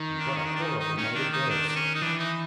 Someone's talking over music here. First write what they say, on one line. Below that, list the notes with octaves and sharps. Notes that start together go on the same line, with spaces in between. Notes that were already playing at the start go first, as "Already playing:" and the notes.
And what a horrible night it was!
Already playing: D#3
D4
C#4
D4
D4
D#4
D#4
D#3 C#4
D4
D#4
D4
D4
C#4
D#4
E3 D4
D#4